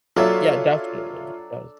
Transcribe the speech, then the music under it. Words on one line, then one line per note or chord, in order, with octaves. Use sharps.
Yeah, definitely does.
F#3 D4 F4 A4 C#5 E5